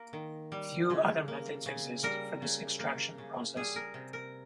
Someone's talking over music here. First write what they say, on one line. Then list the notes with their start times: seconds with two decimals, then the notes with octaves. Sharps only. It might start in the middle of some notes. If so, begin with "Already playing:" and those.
Few other methods exist for this extraction process.
Already playing: A#3 A#4
0.13 D#3
0.52 G3
0.90 C#3
1.28 A#3
1.66 C#3
2.03 G3 A#4
2.42 C#3
2.80 A#3
3.18 C#3
3.56 G3 G#4
3.76 A#4
3.94 C3
4.13 A#4